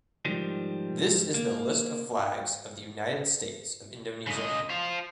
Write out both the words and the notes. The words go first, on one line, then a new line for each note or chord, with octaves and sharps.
This is the list of flags of the United States of Indonesia.
G#2 D#3 F3 G3
A#3
C#3 D#5
C5 F5